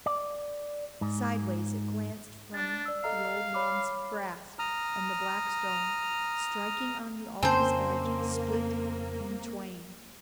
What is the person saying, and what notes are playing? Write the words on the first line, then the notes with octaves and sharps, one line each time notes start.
Sideways it glanced from the old man's grasp, and the black stone, striking on the altar's edge, split in twain.
D5
G#2
D4 A6
D5 E6
A4 D#5 F5 A#5
C#5 B5 D6
A#5 D#6 F6
F2 C#3 A#3 C4 C#4 C5 G#5 A5